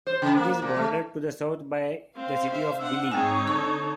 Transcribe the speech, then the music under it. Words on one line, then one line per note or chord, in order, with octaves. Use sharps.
It is bordered to the south by the city of Dilley.
C5
C#3
A#3
A#2
A3
C4 C5 F5
E5
D4 F#5 E6
G#2 C4 D#4 G#4 C#5 G5 G#5
D3 A4 C#6